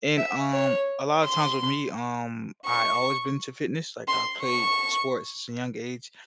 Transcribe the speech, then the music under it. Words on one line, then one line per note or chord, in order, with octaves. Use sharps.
And, um, a lot of times with me, um, I always been into fitness. Like, I played sports since a young age,
E5
C#5
C6
C#6
C6
C#6